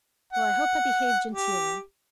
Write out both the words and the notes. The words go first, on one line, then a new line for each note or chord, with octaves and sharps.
"Well, I hope I behave genteely?"
F#5
G4